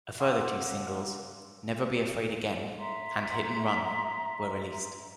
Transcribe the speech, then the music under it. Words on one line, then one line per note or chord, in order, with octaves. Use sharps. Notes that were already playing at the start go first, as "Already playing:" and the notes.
A further two singles, "Never Be Afraid Again" and "Hit 'n Run" were released.
F5 F#5 C6 D6 E6
E5 A#5 C6